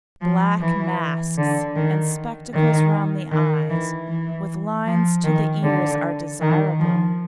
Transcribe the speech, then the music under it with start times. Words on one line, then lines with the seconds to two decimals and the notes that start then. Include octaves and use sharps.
Black masks, and spectacles round the eyes, with lines to the ears, are desirable.
0.22 F3
0.61 E3
1.38 D3
1.76 D#3
2.54 D#3
3.32 D#3
3.70 E3
4.09 E3
4.86 F3
5.25 D#3
5.63 D3
6.41 D#3
6.80 F3